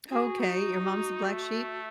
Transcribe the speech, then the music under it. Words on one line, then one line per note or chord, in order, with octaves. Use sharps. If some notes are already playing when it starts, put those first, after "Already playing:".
Okay, your mom's the black sheep?
F#4 G#4
D#4
A3